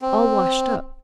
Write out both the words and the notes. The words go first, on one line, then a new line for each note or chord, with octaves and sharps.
All washed-up!
C4